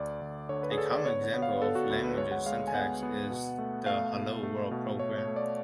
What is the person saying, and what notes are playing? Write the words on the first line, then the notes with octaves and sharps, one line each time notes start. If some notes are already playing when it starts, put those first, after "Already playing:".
A common example of a language's syntax is the Hello world program.
Already playing: D2 D5
D2
D3 C#5
B4
G#4
D3 A4
D5
B3 C#5
C#5
B3
F5
B3 A4
F#4
D2
B4
G#3 C#5
F#5
G#3 F5
G#5
B3 F#5
B3
B2
A3
A3 F5
B2
A3
B2
A3 C#5
C#5
A3
D5